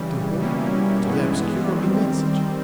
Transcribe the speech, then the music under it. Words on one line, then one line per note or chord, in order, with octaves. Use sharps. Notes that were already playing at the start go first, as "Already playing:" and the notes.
To whom? To the obscure immensity.
Already playing: C#3 E3 G3
B2 G3 A#3 C#4 E4
G2 E3 G#3 B3 E4
D#3 G3 C4